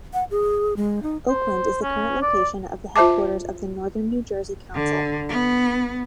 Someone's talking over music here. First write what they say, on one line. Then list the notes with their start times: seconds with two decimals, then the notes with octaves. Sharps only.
Oakland is the current location of the headquarters of the Northern New Jersey Council.
0.14 F#5
0.31 G#4
0.76 G#3
1.03 D#4
1.29 C5
1.82 C#4
2.22 D5
2.96 F4 C5 E5 A5 D6
4.75 D3
5.29 B3